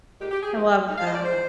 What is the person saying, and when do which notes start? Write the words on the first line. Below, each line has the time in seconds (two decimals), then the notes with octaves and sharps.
I love that.
0.19 A#2 G#3 D#4 G4
0.31 G4
0.43 G#4
0.55 F3 A#3 D#4
0.89 A#2 G#3 D#4
0.98 F5
1.07 D#5
1.15 D5
1.23 F3 G#3 D4 C5